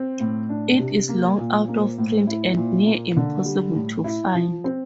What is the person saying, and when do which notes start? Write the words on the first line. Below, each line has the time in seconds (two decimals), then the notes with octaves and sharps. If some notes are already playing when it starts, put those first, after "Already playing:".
It is long out of print and near impossible to find.
Already playing: C4
0.20 A2
0.49 D4
0.79 C3
1.09 A#3
1.39 A#2
1.68 A#3
1.98 A2
2.27 E4
2.57 A#2
2.86 A#3
3.17 D3
3.45 G3
3.75 A2
4.04 E4
4.35 F3
4.64 C4